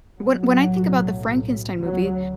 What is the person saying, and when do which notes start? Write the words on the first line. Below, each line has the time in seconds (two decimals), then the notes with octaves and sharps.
When when I think about the Frankenstein movie,
0.19 B1 A2 F#3
1.80 D2 C#3 F#3